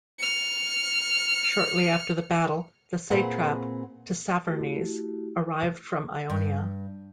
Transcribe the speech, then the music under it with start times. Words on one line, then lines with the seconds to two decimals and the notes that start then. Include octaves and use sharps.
Shortly after the battle, the satrap Tissaphernes arrived from Ionia.
0.19 F6 C#7
3.10 A#2 C4 G#4 B4 F#5
4.46 A3 E4 F#4 G4
6.30 G2